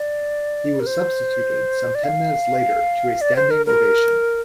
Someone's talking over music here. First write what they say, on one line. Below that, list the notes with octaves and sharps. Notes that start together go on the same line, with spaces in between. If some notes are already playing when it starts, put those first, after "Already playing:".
He was substituted some ten minutes later to a standing ovation.
Already playing: D5
A#4
C5
D5
F5
D5
C5
A#4
A#4